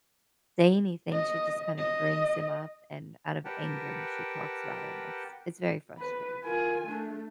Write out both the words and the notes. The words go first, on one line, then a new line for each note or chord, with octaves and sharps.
say anything. She just kinda brings him up and out of anger, she talks about him. It's it's very frustrating.
D#5
D#5
G4 A#4 B4 F#5 G5 A5
B4
F4 A#4 G#5
A3 D4